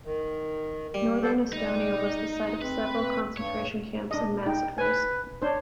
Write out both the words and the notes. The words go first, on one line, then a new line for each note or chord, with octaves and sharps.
Northern Estonia was the site of several concentration camps and massacres.
D#3
G3
A4 C5
G3 D#4
C4 B4
G2 C#5
D4 D#5
D#4 G5
B4 G#5
D4 C5 C#5